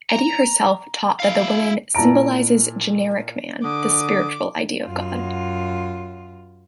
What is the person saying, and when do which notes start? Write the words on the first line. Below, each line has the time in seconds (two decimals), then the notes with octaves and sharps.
Eddy herself taught that the woman "symbolizes generic man, the spiritual idea of God".
0.10 A#5
1.20 E4 F5
1.95 A#2 E4 A5 A#5 D7
3.64 D3 D6 D#6
4.84 F#2 F4